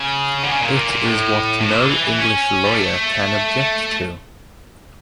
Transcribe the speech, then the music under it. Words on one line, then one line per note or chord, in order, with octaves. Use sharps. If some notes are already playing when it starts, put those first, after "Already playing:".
It is what no English lawyer can object to.
Already playing: C#3
D3
C#3
A#2
A#2
A#2
A2
A2
A#2
D3
E3
E3
C#4
G3
A3